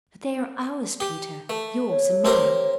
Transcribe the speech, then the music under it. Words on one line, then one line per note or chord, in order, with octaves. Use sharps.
'But they are ours, Peter, yours and mine.'
G4
A3
C#5
C4 G4 A#4